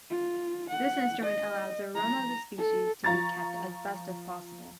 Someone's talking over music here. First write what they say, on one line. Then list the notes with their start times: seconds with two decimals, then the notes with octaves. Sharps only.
This instrument allows the aroma of the species to be kept as best as possible.
0.10 F4
0.70 F#5
1.24 D#5
1.95 A#5
2.58 A4
3.04 F3 F4 A#5 C#6 A6 A#6